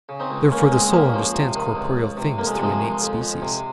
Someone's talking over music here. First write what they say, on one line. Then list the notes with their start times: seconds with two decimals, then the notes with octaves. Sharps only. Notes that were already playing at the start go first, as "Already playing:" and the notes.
Therefore the soul understands corporeal things through innate species.
0.09 C#3
0.20 C4 D#4
0.31 C#2
0.51 C#2 A#3 C#4
0.72 C#3 G#3 C4
0.92 C#3 G3 A#3
1.14 C#2 F3
1.35 C3
1.55 D#3
1.75 C#2
1.97 C#2
2.17 C3
2.38 F2 A#3
2.46 G#3
2.55 G3
2.59 C3 F3 G#3
2.79 D#3
3.01 F2
3.21 F2
3.42 C3